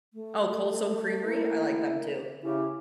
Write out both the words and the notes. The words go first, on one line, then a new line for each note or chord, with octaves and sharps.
Oh, Cold Stone Creamery? I like them too.
A3
A#3 E4 A#4
C#3 E4 G4